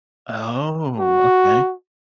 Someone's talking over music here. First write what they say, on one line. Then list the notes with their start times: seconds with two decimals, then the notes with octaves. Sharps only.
Oh, okay.
1.00 F#4